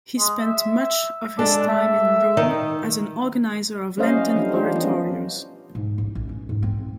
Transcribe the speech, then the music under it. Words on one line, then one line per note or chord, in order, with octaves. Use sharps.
He spent much of his time in Rome as an organiser of Lenten oratorios.
G#3
E5
G#3 D4 A4
E5
D#3 A#4 D#5
G3 C#4 E4 C5 D#5 F5
F#3 D#5
E3 G3 A3 D4 D#4 F4
D4 F4 G4 C5
F3 B3 C#4 F4 D#5
G#2
A1
A1
C#4
G#2
C4